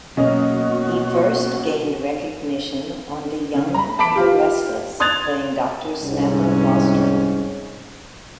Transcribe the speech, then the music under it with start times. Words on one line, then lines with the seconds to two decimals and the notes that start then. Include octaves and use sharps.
He first gained recognition on "The Young and The Restless", playing Doctor Snapper Foster.
0.17 B2 F#3 A#3 C#4 F#4 D#5
3.54 C#3
3.74 A#5 B5
3.99 A5 B5 D6 B6 D7
4.15 F4 G4
5.00 C6 D#6 F#6 G#6 A6 F7
6.02 C2 G#2 C#4